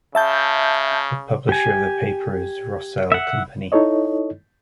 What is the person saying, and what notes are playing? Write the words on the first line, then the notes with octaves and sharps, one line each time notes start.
The publisher of the paper is Rossel company.
C#3 E5 A5 G6
G4 G#5
E5 F#5
D#4 E4 A4 C#5 D#5